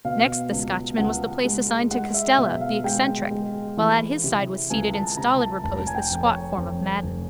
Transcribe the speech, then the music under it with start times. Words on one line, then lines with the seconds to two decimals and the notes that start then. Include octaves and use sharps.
Next the Scotchman was the place assigned to Costello, the eccentric, while at his side was seated in stolid repose the squat form of Madden.
0.05 B2 F5
0.51 C#2
0.98 C#2 F#5
1.45 G#3
1.91 G#3 F#5
2.14 E5
2.38 B2 E5
2.61 F5
2.84 G#3 G5
3.31 G#3
3.77 E3
4.24 C3
4.70 C#2 G#5
4.94 A5
5.17 C3 A#5
5.40 A5
5.64 F1 A5
5.73 A#5
5.80 A5
5.87 G#5
5.95 G5
6.10 F2
6.26 C#5
6.57 F2
7.03 F1